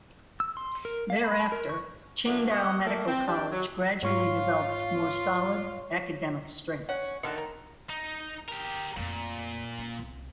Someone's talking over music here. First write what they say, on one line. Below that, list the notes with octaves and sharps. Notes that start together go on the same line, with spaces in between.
Thereafter, Qingdao Medical College gradually developed more solid academic strength.
E6
C6
A#4
F5
B5
A#4
C#6
A#2 D3 E3 F#3 A3 A#3
C3 C#5 D#5 F#5
A3 A#3
C4
D4 G4
F#3
G#2 F4 C#5 C#6
C#4 F#5
D3 D#3 A3 F#4
A#4
D#4
G4 A#4
F2 A#2 A3
C#4
C2